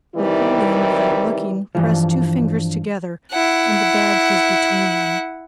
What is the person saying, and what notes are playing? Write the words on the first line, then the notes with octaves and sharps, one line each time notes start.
Napoleon, without looking, pressed two fingers together and the badge was between them.
C3 D#3 E3 G3 E4
G2 E3 F3
E4 F#5